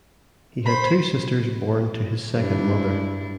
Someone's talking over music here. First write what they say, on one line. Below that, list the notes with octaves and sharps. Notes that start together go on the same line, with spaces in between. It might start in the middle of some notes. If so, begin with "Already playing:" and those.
He had two sisters born to his second mother.
C5 B5
G2 D4 E4